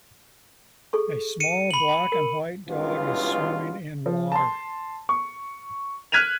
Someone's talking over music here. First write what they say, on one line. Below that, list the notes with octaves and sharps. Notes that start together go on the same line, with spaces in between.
A small black and white dog is swimming in water.
G#4 A4 C#6
C#7 D#7
B5 F#7
A#4
C#2 G2 B2 E3 F4
F3
A5 C6
C#6
F6 F#6 G#6 B6 D#7 F7